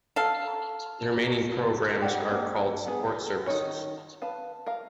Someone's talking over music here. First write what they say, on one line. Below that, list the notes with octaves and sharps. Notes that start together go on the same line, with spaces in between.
The remaining programs are called support services.
A4 F5
G4 D5 F#5
A#3 D4
B3 G#4 B4
D#3 D#4 C#5
B4 F5 A5
A#4 F5